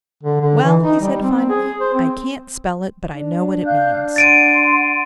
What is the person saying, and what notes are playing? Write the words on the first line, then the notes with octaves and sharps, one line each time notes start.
'Well,' he said finally, 'I can't spell it but I know what it means.'
D3
D3
E3
D#4
G3
C4
G#4
C5
C4
D4
F5 F#6 G6
F#5 C6 A6 D7 D#7